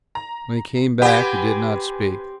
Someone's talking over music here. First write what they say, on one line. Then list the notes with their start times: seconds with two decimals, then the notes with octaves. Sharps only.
When he came back, he did not speak.
0.15 A#5
1.02 C4 G4 B4 F#5 G#5